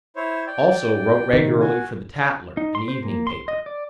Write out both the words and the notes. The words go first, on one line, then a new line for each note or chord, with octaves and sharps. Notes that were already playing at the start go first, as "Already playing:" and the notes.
Also wrote regularly for the "Tattler," an evening paper.
E4 C5 C#5
D5 G5
C3 D#3
F#4 G#5
D#4
C6
C5
A#3
C6
D#5
D5